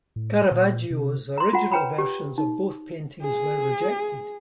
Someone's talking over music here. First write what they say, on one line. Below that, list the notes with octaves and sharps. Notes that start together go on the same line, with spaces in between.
Caravaggio's original versions of both paintings were rejected.
A2
A#2
C3
A#5 C6
F4 F#5 A#5
B4 C#5 G5 A#5 B5
G4
D#4
G#4